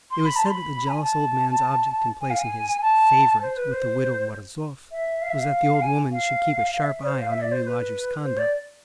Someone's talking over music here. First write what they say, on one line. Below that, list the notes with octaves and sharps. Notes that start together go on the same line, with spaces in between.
It was said that the jealous old man's object in placing his "favorite" with the widow Morozov was that the old woman should keep a sharp eye on her new lodger's conduct.
C6
B5
A5
C6
B5
G#5
A5
G#5
F5
G#5
A5
C5
B4
C5
E5
F5
E5
F5
G#5
F5
F5
E5
D5
C5
F5
E5
D5
C5
C5
B4
C5
D5